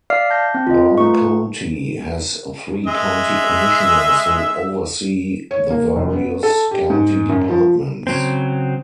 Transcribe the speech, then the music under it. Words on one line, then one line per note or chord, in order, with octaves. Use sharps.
Brown County has three County Commissioners who oversee the various County departments.
D5 E5 F5 D6 F6 C7
A5 G6 A#6
C4
F4 D#5
A3 F4 B4 C#6
G#3 E5
C#5
A#3
F1
B3
A4
G4
G#2
F#2
F3
C#3 F#3 C4